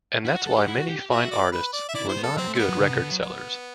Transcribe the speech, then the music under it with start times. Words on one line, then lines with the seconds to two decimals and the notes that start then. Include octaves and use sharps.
And that's why many fine artists were not good record sellers.
0.25 E4 F#5
0.35 F#4
0.47 A4
0.57 G4
0.68 E4
0.78 F#4
0.89 G4
0.99 G4
1.10 F#4 E5
1.31 D5
1.52 B4
1.73 D5
1.89 E5
1.94 E4 D5
2.05 E4
2.09 C5
2.17 B3
2.23 A4
2.37 F#3 C4
2.48 A3
2.54 C4
2.58 G3 B3
2.69 F#3
2.80 D3
2.90 C3
3.01 D3
3.11 F#3
3.22 B3